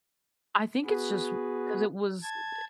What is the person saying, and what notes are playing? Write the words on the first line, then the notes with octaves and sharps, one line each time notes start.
I think it's just 'cause it was, eh
B3 F#4 G#4 B4
A5 G#6